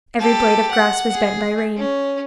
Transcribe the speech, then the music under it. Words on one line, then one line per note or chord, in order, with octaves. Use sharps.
Every blade of grass was bent by rain.
G4 A4
F#5
G#4
C#4